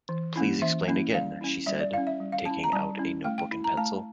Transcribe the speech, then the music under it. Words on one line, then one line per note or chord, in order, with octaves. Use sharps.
"Please explain again," she said, taking out a notebook and pencil.
E3
A#3 C#4 E4
E3 E5
A#3 C#4 E4
G3 F5
C#4 E4
G3 E5
D5
C#4 E4 F5
E5
G3
F5
C#4 E4 A5
A#5
G3 A5
C#4 E4
A3 G5
G5
E4
A#5
A3 A5